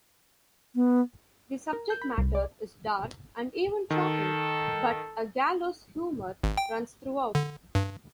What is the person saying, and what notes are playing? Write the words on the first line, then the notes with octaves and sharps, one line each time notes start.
The subject matter is dark, and even shocking, but a gallows humor runs throughout.
B3
A#4
G6
B5
C2
D5
D#3 A4
G#1
G5
D3
G2